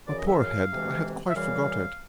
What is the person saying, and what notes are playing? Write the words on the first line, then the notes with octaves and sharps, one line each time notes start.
My poor head, I had quite forgot it.
F#2 C#3 E3 D5
D#5
E5
F5
D2 C3 E3 G#3
E5
F#2 C#3 E3 G3 F5